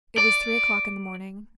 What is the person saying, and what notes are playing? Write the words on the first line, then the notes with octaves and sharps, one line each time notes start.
It was three o'clock in the morning.
D5